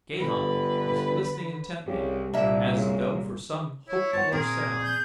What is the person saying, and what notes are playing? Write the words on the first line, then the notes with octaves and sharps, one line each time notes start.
Gahan was listening intently, as though for some hoped-for sound.
G1 D3 B4
C2 C#3 G4
C2 A#2 A#3 D4 E5
C#3
E4 C#5
F4 C5 F#5 A5
A#2 A#3 C4 G#4 A#4
G6